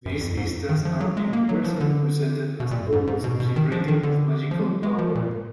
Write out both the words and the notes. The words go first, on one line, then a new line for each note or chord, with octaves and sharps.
These vistas are universally presented as almost vibrating with magical power.
F#2
F2
G#2
F2
F#2
D#3
F3
F#3
G#3
A#3
F#3
F3
D3
B2
A#2
F#2
G#2
G#2
B2
B2
D#3
F3
D#3
D3
F3
G#3
F#3
G#3
F3
A#2